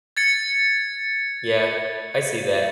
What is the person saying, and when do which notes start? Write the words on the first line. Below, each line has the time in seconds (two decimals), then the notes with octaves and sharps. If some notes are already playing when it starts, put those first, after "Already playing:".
Yeah, I see that.
0.17 G#6 A6 C#7